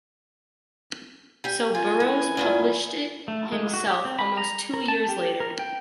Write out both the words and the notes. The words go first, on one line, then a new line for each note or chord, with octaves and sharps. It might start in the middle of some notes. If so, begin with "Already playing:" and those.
So Burroughs published it himself almost two years later.
G4 G#5
F4 G#5
E3
E2 G2 A#2
A3
G#3
F#4
G4
C4
B5
A#5
A#4
A5
G4
A#4
G5